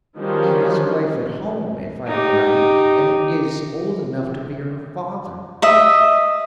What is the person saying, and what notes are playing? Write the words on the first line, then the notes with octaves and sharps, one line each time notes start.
He has a wife at home, if I am right, and is old enough to be her father.
D#3 F3 G3 C#4 D#4 F#4
D#4 G4
D#5 E5